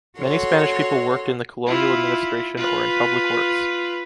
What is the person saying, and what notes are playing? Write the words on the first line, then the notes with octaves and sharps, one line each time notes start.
Many Spanish people worked in the colonial administration or in public works.
F#4 A4 C#5 C6
E4 F4
F4 B4